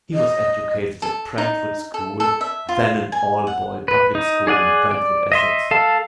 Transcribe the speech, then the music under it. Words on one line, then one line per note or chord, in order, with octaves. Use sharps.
He was educated at Brentwood School, then an all-boys public school in Brentwood, Essex.
D#5
A4
D#4
A4
A4
E5
F4
G#5
F#5
B4
D#4
G#4 D5 F#5 G#5
D5
D#5 E5 C6
A4 F5 A5